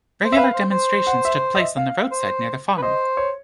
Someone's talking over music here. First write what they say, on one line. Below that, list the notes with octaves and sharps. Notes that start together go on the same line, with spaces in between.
Regular demonstrations took place on the roadside near the farm.
C5
E5
B4 F5
C5
C5
F#5
E5
D#5
E5
F5
C5
B4
C5 D#5
C#5